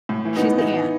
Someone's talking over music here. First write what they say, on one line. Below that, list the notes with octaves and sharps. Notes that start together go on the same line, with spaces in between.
She's the aunt.
A2
E3
B3 D#4
A2
E3 B3 D#4
E3